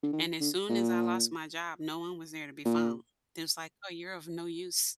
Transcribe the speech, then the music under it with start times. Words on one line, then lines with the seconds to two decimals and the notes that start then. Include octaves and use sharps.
And as soon as I lost my job, no one was there to be found, just like, "Oh, you're of no use.
0.03 D3
0.13 D#3
0.41 D3
0.69 A#2
2.65 A#2